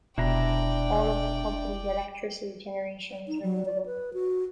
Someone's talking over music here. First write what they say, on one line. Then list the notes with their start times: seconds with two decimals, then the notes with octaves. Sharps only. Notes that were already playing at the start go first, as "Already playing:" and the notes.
All of the company's electricity generation is renewable.
0.18 F1 B2 D4 E4 D5 G5 A#5
3.28 D#4
3.42 F#3
3.66 D5
3.86 B4
4.14 F#4